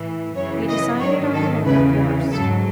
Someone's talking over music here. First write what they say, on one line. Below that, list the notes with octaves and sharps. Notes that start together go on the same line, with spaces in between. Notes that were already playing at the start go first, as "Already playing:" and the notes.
We decided on the latter course.
Already playing: A2 E3
F#2 C#3 E3 C#5
D#5
G#2 D#3 F#3 C#5
A4
E2 C#3 E3 B4
G#2 F#3 A4